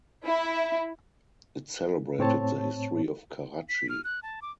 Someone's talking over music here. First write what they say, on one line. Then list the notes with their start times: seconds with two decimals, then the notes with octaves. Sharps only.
It celebrated the history of Karachi.
0.25 E4
2.19 A2 C4 C#5 A5
3.69 B6
3.89 F6
4.04 F#6
4.23 A5
4.42 D6